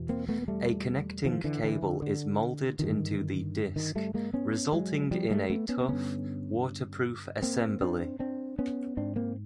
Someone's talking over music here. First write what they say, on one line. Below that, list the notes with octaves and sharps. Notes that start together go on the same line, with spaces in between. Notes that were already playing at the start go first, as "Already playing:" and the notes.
A connecting cable is moulded into the disc, resulting in a tough, waterproof assembly.
Already playing: E2 B2
A#3 C4
A3 B3
A#3
G3 A3
D#3 F3
D3 E3
D3 E3
D3
D3
G2 D3 D#3
D#3
G3 A3
G#3 A#3
B3 C#4
F#3 G#3
F3 G3
G3 A3
A3 B3
B3 C#4
C4
G2 D3 B3 C#4
A#3 C4
C4 D4
C4 D4
B3 C#4
G#2 C4 D4
A#3 C4